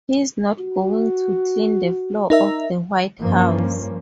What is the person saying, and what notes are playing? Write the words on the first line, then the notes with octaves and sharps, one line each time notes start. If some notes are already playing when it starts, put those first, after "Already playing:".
He's not going to clean the floor of the White House.
F#4
D#4 A#4 E5
G2 F3 A#3 C#4